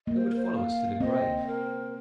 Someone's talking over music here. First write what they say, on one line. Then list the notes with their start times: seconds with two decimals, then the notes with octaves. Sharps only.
Who would follow us to the grave?
0.07 A#3 D#5
0.16 C5
0.26 A#4
0.36 C5
0.54 F5
1.00 C4 D#5
1.47 A#4